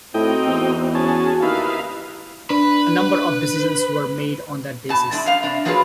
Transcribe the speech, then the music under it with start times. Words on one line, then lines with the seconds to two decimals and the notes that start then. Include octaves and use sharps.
A number of decisions were made on that basis.
0.14 A2 C4 D#4 F#4 D#5 G5
0.46 E2
0.95 C#4 F#4 G#4 A5
1.42 D#2 D#4 E4 B4 F5
2.50 D4 B4
4.89 B2 A5
5.11 G#3 D4 E4
5.26 F#2 F5
5.43 C3 D4
5.65 F3 F#3 A#3 F4 G#4 B4